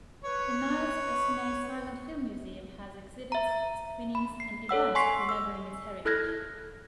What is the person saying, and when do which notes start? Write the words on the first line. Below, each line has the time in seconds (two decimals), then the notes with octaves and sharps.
The Niles Essanay Silent Film Museum has exhibits, screenings, and events remembering its heritage.
0.25 B4 C#5
3.32 E5 A#5
4.15 B5
4.40 C7
4.69 A4 C#5 F#5 E6
4.95 G#5 C6 C#6 B6 C7
5.29 E6
6.05 E4 A4 F6 F#6 G#6 A#6